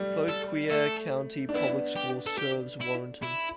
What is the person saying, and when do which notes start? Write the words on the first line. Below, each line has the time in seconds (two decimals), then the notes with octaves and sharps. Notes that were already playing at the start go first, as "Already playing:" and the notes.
Fauquier County Public Schools serves Warrenton.
Already playing: G3 A3
0.29 A4
0.70 A3 A4
1.49 D4
1.54 B3 E4
1.96 G4
2.27 A4
2.38 G4
2.81 E4
3.22 E4